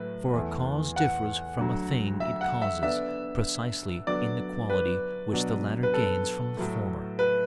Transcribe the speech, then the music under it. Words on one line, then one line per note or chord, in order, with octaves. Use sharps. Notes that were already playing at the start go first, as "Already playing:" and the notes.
For a cause differs from a thing it causes, precisely in the quality which the latter gains from the former.
Already playing: A2 F#3 A3 B4
E2 E3 A3 E4
F#5
D2 D3 F#3
E5
F#5
E5
D3 B3 D4 E5
D3 F#3 B3 D4 D5
B4
B2 F#3 B3 D4
B4
A4
A2 F#3 A3
B4